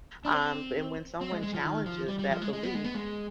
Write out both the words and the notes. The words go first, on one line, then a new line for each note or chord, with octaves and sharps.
Um, and when someone challenges that belief,
D4
C4
C4
G#3
G#3
F3
D#3
F3
G3
G3
F3
G#3
G#3
B3
G#3
B3
G#3